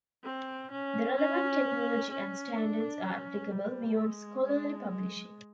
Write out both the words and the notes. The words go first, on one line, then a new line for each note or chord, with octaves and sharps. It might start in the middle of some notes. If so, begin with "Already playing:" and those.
The relevant technology and standards are applicable beyond scholarly publishing.
C4
C#4
C#4
C#4
D4
C#4
G3
G#3
G#3